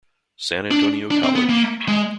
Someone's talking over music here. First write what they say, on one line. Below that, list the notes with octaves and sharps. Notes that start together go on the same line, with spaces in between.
San Antonio College.
D4
D4
C4
B3
A#3
G#3